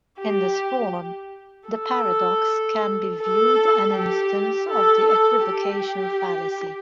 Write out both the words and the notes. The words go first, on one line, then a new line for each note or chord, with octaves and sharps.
In this form, the paradox can be viewed an instance of the equivocation fallacy.
G4
A4
A4
G4
A4
A4
G4